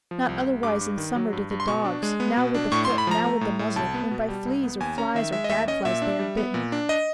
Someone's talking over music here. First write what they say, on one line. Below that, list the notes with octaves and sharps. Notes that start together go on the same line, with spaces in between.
Not otherwise in summer do the dogs, Now with the foot, now with the muzzle, when By fleas, or flies, or gadflies, they are bitten.
F3
C2
C2
G2 D6
G2
D#3
F#3
G2
G2
C6
B2 C#6
D4
G#3
B3
B2
D4
A2 C#6
C6
A2
B5
F3 A#5
A3
A2
A2
C2 A5
B3
B2
G3
C2
B3
D#2 G#5
C#4 A#5
D#3 E5
G#3 E5
D#5
D#2 E5
C#4 D#5
A#2 E5
D4
G3
B3
A#2
D4
D#5